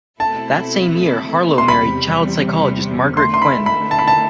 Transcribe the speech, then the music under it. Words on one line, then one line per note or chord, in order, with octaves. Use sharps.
That same year, Harlow married child psychologist Margaret Kuenne.
B2 A3 C4 E4 A4 A5
C6
E2 C3 G3 B5
D3 A3 E4 C6
C6
B5
B5
A5
B5
A5